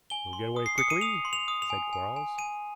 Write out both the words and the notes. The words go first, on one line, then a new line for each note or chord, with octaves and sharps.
"We'll get away quickly," said Quarles.
G#5 G7
C6
D#6
C7
D#6 C#7
D#7
D#6 F7
C6
F7
D#6
F7
G#5
G#5
G#5
G#5 D#7